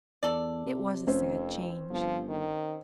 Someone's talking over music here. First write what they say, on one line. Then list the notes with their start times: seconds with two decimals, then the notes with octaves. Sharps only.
It was a sad change.
0.23 E2 A4 D5
0.66 C3
1.07 F1 F2 C4 C#4 C5
1.90 G1 F3
2.29 D#3